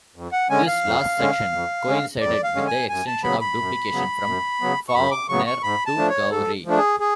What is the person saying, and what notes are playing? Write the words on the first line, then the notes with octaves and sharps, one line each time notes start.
This last section coincided with extension of duplication from Fawkner to Gowrie.
F2
F#5
D3 G#3 C#4 G#5
F5
F2
D3 G#3 C#4
F2
D3 G#3 C#4
F2 D5
F5
D3 G#3 C#4
G#5
F#2 G#5
A5
C#3 F#3 B3 B5
B5
F#2
C#3 F#3 B3
F#2
C#3 F#3 B3
C#6
F#2 B5
D6
C#3 F#3 B3 C#6
C#6
G#2 B5
A5
F3 A3 D4
C#5
G#2 A4
F3 A3 D4
G#4
G#4